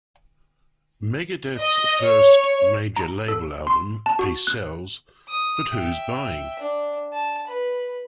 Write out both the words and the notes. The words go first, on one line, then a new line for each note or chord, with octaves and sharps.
Megadeth's first major-label album, Peace Sells... but Who's Buying?
D#5
C#5
A#5
A4
C6
A5
F#4
F#6
D#6
E5 G5
D4
A5
B4